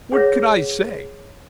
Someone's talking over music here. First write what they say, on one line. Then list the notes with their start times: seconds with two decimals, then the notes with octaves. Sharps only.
What could I say?
0.12 G#4 B4 C#5 F#5 A#6